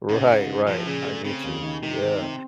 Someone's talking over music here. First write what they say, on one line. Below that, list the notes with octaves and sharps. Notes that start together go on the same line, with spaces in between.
Right, right, I get you, yeah,
C#2 G#2
C#2
C#3
A#2 F3
A2
A#2 C#3
A3
C#3 C4
D#2
D#3
C3 D#3
D#3
C4